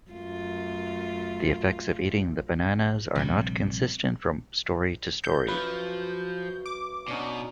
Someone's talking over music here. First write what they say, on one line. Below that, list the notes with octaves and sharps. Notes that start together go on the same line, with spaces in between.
The effects of eating the bananas are not consistent from story to story.
F#2 A3 F4
A#1 C3 G3
G6
F#2 F3 B4 F5
D6
B2 D3 C#4 D#4